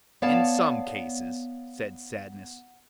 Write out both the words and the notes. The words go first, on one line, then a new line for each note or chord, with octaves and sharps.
"In some cases," said Sadness.
B3 C#5 D5 F5 A5